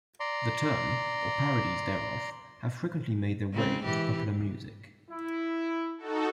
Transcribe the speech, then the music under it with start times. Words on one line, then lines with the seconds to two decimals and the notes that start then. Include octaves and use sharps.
The term, or parodies thereof, have frequently made their way into popular music.
0.20 D5 A#5 C6
3.53 C#3 G#3 C4
3.83 E3 G4
5.10 E4
5.98 D#4 F#4 A4